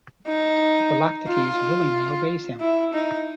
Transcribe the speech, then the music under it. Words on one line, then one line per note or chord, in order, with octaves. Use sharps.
Philoctetes willingly obeys him.
D#4
F4
E4
D#4